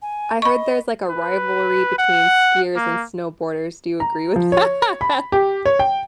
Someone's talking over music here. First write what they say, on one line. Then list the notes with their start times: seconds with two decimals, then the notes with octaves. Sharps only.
I heard there's, like, a rivalry between skiers and snowboarders. Do you agree with that?
0.02 G#5
0.42 D#5 B5 C#6
1.10 B4
1.99 F#5
2.76 A#3
4.00 A#5
4.36 F3
4.52 C#5
5.01 B5
5.32 G4
5.66 C#5
5.79 G5